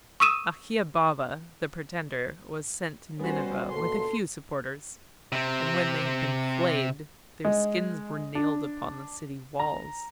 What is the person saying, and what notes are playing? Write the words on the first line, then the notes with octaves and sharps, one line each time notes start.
Akhiababa the pretender was sent to Nineveh with a few supporters; and when they had been flayed their skins were nailed upon the city walls.
C#6 D#6 E6 D#7 E7
G3 B3 C#4 F#4 C5
C#2 A#2 A4 C6
C3 C4
G#3
D4
A#5